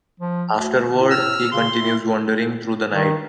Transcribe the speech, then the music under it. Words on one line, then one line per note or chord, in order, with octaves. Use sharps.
Afterward, he continues wandering through the night.
F3
D2
A2
E6 F6
C#3 C6
E4
D#3